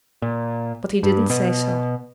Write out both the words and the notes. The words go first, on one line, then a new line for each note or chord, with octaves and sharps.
But he didn't say so.
A#2
G2
B2